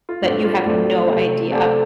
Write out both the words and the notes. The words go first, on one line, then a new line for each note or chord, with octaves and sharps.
that you have no idea
F4
A2 A3 C4 D4
F4
A2 A3 C4 A4 D5
C3 A3 C4
C3 A3 C4 A4 D5